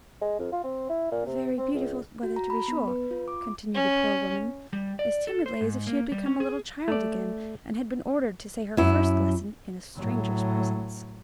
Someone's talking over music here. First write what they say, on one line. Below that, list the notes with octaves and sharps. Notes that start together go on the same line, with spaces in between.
"Very beautiful weather to be sure," continued the poor woman, as timidly as if she had become a little child again, and had been ordered to say her first lesson in a stranger's presence.
G#3
F2
F4
C4
E4
A#2
C3
C4
C#2
F#4
A#5
B5
B3
B4
F4
D6
C#4
G3
D5
A4
C5
G#2
A#3
G3
C#4
G#4
A3 D5
F#2 E4
A2 F#3